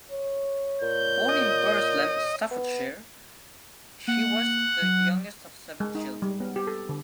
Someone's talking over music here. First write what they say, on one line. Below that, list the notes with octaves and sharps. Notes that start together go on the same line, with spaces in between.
Born in Burslem, Staffordshire, she was the youngest of seven children.
C#5
A#2 G6
D#5
B3
A#3 F#5
F#3
G#3
D#4
G3
B3
G4
A4
D3